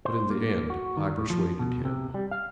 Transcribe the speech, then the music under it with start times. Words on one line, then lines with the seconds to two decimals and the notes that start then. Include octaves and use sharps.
But in the end I persuaded him.
0.05 C5
0.30 A#3
0.70 F#4
0.97 D#3
1.18 A2
1.30 F3
1.59 B2
1.85 C3
2.14 G3
2.31 F5